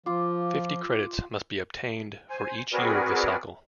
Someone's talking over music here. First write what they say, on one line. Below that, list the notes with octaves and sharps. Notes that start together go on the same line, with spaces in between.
Fifty credits must be obtained for each year of the cycle.
F3 F4 D6
C5 G#5
C4 F#4 G#4 A#4 B4 D5